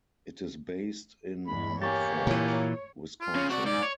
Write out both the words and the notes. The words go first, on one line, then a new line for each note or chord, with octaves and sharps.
It is based in Hartford, Wisconsin.
E2 G2 G#3 B5
A#3 G4 C#5 G#5 C#6 A6
A#2 E3
F4
C#3 C#4
C4 F#4 D5
G#2 D5
C#5